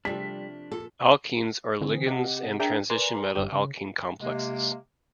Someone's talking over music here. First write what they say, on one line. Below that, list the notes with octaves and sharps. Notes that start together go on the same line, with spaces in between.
Alkenes are ligands in transition metal alkene complexes.
C3 F3 G3 A3 D4 B6
A#2 A4
D3 E3 C4 G#4
C3 G4 D#5 F#5
D4 G#4 A#4 E5 G5 A#5
A#4 B4 D5 G#5 A#5 C6
G1 G2 D3 G4
C#3
C3 G#3 A#3